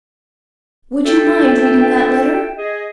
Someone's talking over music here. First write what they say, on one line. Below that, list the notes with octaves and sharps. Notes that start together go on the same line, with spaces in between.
Would you mind reading that letter?
D4 F4 A4 E5 G5
G#4 D#5